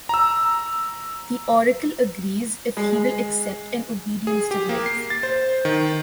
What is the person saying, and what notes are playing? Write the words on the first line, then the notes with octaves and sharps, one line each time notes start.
The Oracle agrees if he will accept an obedience device.
A#5 E6
G#3
G#4
G4
A#3
C7
A6
C5
D#3